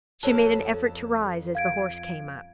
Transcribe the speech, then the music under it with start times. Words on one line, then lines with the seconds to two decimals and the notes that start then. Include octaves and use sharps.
She made an effort to rise as the horse came up.
0.23 F2 A4 A#4 C#5 A5
1.55 F5 G#6 D7